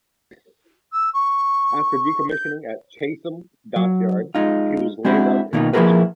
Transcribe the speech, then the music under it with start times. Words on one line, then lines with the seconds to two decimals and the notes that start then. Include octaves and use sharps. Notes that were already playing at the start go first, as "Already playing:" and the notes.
After decommissioning at Chatham Dockyard, she was laid up in Portsmouth.
0.93 E6
1.14 C#6
2.31 G6
3.76 F#3
4.35 G#3 D#4 F4
5.05 G#3 C4 D4 E4 F#4
5.53 B2 D#3 A#3 C#4 D#4 F4
5.73 F3 A#3 E4 G#4 A#4 B4